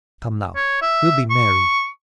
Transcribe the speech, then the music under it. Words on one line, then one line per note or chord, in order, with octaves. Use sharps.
Come now, we'll be merry.
C#5
E5
C#6